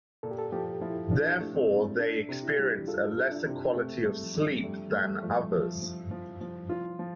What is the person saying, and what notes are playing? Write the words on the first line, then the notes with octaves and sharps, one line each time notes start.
Therefore, they experience a lesser quality of sleep than others.
A#2 A4
G4
A4
F3 G4
F3 E4
F3 D4
A3
C4
A#2
D4 A4
C3
E4
G3
F4 A4
A4
D4
C3
A3 C4
G3 A3
F3
G3 D4
G3 A3
G3 A3
F3 A3
F3
F3
F3
F3
F4
F3